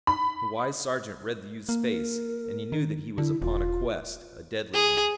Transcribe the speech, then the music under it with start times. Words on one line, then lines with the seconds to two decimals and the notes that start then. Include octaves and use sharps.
The wise sergeant read the youth's face, and he knew that he was upon a quest, a deadly one.
0.07 B5
1.69 A#3
1.88 A#4
2.72 D#3
3.18 D3 E4
3.42 E1 F4
4.74 G#4